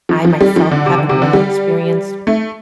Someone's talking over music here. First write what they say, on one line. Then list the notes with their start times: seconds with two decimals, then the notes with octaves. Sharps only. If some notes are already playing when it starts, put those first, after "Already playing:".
I, myself haven't really experienced
0.09 F3
0.25 F3
0.41 G3
0.56 F3
0.71 D3
0.86 C3
0.98 D3
1.09 C3
1.22 D3
1.33 G3
2.27 A3